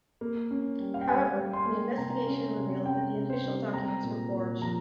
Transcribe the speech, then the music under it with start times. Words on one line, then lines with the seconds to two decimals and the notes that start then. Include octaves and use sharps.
However, an investigation revealed that the official documents were forged.
0.21 A#3
0.51 C#4
0.79 G3
0.94 F5
1.01 G5
1.09 G3 G#5
1.39 G3
1.53 C6
1.68 A#3
1.97 C3 A#5
2.27 C#4
2.56 C3
2.85 C#4 G5
3.14 C3
3.30 C5
3.44 G3
3.73 C4 A#5
4.03 A#2
4.32 A#2
4.62 F3 A#5